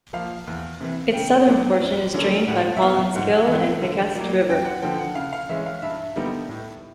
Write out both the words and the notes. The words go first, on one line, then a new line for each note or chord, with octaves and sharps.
Its southern portion is drained by Paulins Kill and Pequest River.
F3 A#3 F5
E2
C3 E3
C#3 G5
F#3 B3 D4
F#2
D3 F#3 A#3 C#4
A2 F#5
E5
F#3 B3 F5
G#2 F#5
E3 A3 C4
D3
F#3 A#3
F#2 G5
F#5
D3 F3 G5
F#5
C#3 F5
F5
E3 G#3 C#4 E5
F5
G2 E5
D3 G3 B3 D#4
A2